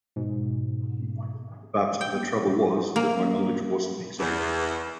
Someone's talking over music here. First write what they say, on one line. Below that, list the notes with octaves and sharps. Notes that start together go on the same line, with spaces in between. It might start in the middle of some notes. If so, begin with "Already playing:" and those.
But the trouble was that my knowledge wasn’t exact.
G#2 B2
G5
A#3
E2